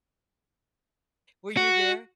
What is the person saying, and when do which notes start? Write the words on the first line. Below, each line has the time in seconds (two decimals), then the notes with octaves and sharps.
Were you there?
1.57 F#4